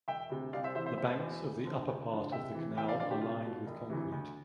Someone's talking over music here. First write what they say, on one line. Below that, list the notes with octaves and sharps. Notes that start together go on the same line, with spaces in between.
The banks of the upper part of the canal are lined with concrete.
E1 E5 G5
D2 C3
C2 D5 F5
C5 E5
C3 E3 C5 E5
C5 E5
F1 C5 E5
E2 B2
D2
D3 F3
D2
D3 F3
C2 E5 G5
C3 E3
E2 E5 G5
D5 F5
D3 F3 D5 F5
G4
C2 F4
B2
E1
D2 C3 E3
D2